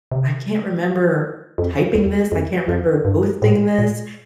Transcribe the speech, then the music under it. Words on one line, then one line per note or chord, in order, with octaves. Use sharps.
"I can't remember typing this, I can't remember posting this,
C3
F2
E2
F2
F2
G2
A2
A#2